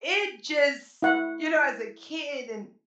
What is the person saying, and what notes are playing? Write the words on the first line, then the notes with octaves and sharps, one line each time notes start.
it just you know, as a kid, and
E4 F#5